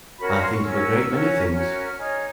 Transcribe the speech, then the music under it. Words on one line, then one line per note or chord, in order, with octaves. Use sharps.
I think of a great many things.
C#4 F#4 A#4 C#5 B5
B5
C6
C#6
C#4 F#4 A#4 C#5 E6
C#4 F#4 A#4 C#5
C#4 F#4 A#4 C#5 F6
D#4 G#4 C#5